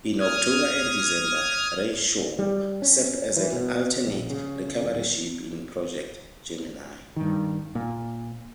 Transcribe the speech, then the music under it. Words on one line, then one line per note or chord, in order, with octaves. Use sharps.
In October and December "Renshaw" served as an alternate recovery ship in Project Gemini.
D#6 F6 G#6
G3
C#4
E3
B2
A#1
C#3
D1
G2 D#3
A#2